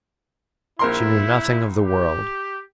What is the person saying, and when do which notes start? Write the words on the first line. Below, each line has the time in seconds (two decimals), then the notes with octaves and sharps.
She knew nothing of the world.
0.79 A#1 E4 A#4 C6
1.83 G4